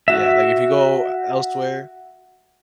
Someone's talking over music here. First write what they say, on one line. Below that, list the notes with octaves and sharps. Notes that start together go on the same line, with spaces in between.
Yeah, like, if you go elsewhere
F#4 E5